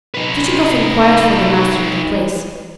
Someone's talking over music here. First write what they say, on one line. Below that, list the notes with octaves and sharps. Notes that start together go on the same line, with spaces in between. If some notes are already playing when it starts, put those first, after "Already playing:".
Chichikov inquired for the master of the place.
D#4 B4